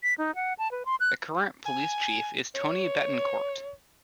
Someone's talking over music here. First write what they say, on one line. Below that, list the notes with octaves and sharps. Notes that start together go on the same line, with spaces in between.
The current police chief is Tony Bettencourt.
B6
D#4
F#5
A5
B4
C6
F#6
G#5
C#5